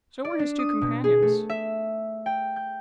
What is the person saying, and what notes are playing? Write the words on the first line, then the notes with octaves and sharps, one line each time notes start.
So were his two companions.
D5
D4
D#6
B2
G#4
A3
E5
G5
G6